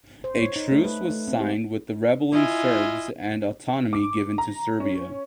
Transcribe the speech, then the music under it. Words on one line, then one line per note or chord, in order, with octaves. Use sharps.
A truce was signed with the rebelling Serbs and autonomy given to Serbia.
C5
C#5
D#4
A3
B4
A3
C4
G4
E4 F4 D#5 G#5
D6
A#5
C#4